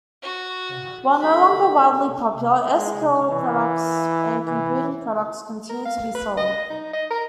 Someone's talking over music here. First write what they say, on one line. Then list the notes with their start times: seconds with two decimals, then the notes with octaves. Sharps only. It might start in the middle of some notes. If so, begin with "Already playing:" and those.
While no longer wildly popular, S-Curl products and competing products continue to be sold.
0.22 F#4
1.21 D3 G3 A#3 B5
2.74 G#3
3.31 E3
4.46 E3
5.69 A#4
5.85 F5
6.15 B4
6.37 D#5
6.70 D#4
6.93 D#5
7.10 A#4